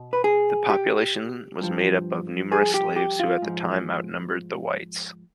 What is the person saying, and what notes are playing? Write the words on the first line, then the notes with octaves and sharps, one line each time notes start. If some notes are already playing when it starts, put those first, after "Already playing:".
The population was made up of numerous slaves, who at times outnumbered the whites.
Already playing: B2
B4
G#4
G4
G2 F3
G#4
G4
G4
F4
G#2 F3